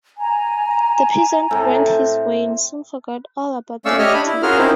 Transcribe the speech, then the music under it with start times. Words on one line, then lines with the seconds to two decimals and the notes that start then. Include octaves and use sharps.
The peasant went his way and soon forgot all about the matter.
0.18 G#5 A#5
1.51 A2 C4 A4
3.85 A3 C#4 D5 F5 C#6 E6
3.98 G4 C#5 D#5 E5 F6
4.14 D4 B5
4.26 E4
4.43 C#4 F4 F#4 G#4 A#4 F6
4.58 C4 C#4 D#4 E4 A#4 C5